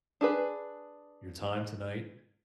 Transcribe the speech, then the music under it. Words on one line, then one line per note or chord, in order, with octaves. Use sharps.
your time tonight,
D4 G#4 B4